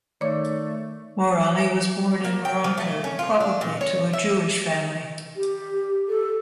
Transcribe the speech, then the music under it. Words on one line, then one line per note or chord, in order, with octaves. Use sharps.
Morali was born in Morocco, probably to a Jewish family.
D#3 A3 C#5 D5 D6
A#3
G5
F3
A3
C#4
F4
D4
A#2
C#5
E5
G4
A4